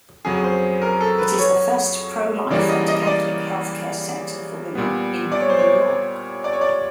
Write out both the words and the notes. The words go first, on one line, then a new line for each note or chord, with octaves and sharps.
It is the first pro-life and Catholic healthcare center for women in New York.
F2 C#3 F#3 G#4
C5
A#4
A4
B4
C#5
C#3 E3 G3 A#3 D5
D#5
D#5
D#5
D5
A#2 G3 B3
D5
C#5
C5
C#5
D5
C#5
D5